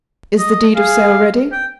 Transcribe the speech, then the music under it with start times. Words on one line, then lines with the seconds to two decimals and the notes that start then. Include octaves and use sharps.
"Is the deed of sale ready?"
0.39 D#5
0.76 G#4 F5
1.52 G5